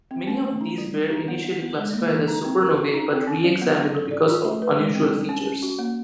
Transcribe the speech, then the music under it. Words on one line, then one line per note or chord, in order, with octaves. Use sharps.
Many of these were initially classified as supernovae but re-examined because of unusual features.
C4
C#4
A3
D#4
G3
G3
D#4
B3
B3
B3
G#3
A#3
E3
D#4
C4
A#4
F#4
D#4
C4
C#4
F#3
B3
B3
A4
D5
F4
A3
B4
G#3
C4
G3
C#4
C#4
F#4
A#3